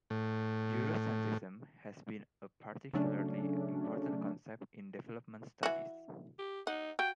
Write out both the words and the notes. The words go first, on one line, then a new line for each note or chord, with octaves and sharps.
Eurocentrism has been a particularly important concept in development studies.
A2
C#3 F#3 A3 C#4 D4
E3 F#4
G4
D#4 F#5
F#4 G5